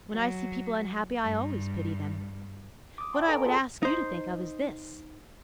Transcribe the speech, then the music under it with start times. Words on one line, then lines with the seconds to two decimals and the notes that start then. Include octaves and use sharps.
When I see people unhappy I always pity them. What I would ask you to think of is this.
0.12 F#3
1.22 G2
2.98 D6 D#6
3.13 D5 F5 G5 A5 C6
3.28 A4 B4 G#5 A#5 E6 D7
3.46 F4 G#4 A4 A5
3.83 D#4 C5